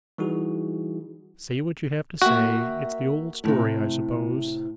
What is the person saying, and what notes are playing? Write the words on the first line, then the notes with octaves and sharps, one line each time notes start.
'Say what you have to say; it's the old story, I suppose?'
E3 G3 D#4 E4 F#4 G#4
A#3 F#4 E5 G5
A2 C3